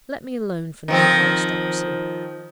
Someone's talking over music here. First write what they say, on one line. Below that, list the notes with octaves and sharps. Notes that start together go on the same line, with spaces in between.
Let me alone for knowing the aristocracy.
D#3 F3 C4